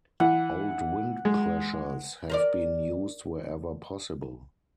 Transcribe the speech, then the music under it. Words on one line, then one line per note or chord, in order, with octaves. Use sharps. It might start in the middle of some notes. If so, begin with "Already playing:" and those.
Old wind pressures have been used wherever possible.
E3 F#5
G#3
A#4 C5 D5